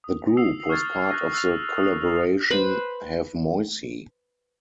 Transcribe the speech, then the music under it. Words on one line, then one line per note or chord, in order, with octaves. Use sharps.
The group was part of the collaboration Have Moicy!
D#6
D#6 E6 C7 F7
C#6 F6 F#6 G#6 A6
F#6 G#6 A#6 D#7
E6 F#6 A6 C7 F7
D#6 C7
B4 C5 B5